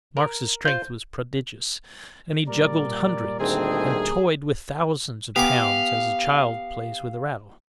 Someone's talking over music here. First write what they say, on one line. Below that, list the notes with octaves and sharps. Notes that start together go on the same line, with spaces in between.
Marx's strength was prodigious, and he juggled hundreds, and toyed with thousands, of pounds as a child plays with a rattle.
A#4
F4 C5 G6
A#2 G3 A#4 D5
D2 D#3 C4 G#4
B3 G4 F5 G#5 D6